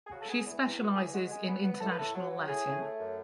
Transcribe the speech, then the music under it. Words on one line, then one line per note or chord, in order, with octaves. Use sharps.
She specializes in International Latin.
G#4
C#3 F#4
A4
B3 G#4
E2
E2
B3 F#4
E2 G#4
G#3 F#4
G#3 G#4
B3
B3
A2 A4
B4
A2 A4
F#3
F#3
A2 G#4
A2
A3
F#2